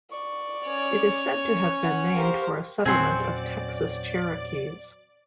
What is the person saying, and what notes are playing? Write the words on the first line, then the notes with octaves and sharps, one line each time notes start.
It is said to have been named for a settlement of Texas Cherokees.
D5 C#6
C#4 C#5
F#5
G4 A#4 C5 F5
E2 A#2 C#3 F#3 C4 D5 G#5 C6